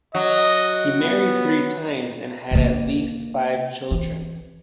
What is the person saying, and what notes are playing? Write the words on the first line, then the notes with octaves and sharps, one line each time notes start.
He married three times and had at least five children.
F#3 D#5
B3
C3 A#3
E3